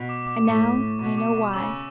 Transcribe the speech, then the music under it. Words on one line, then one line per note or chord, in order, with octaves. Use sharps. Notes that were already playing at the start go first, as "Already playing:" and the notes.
And now I know why.
Already playing: B2
D6
D6
A2 C#6
B2 C#6
D6
C#3 E6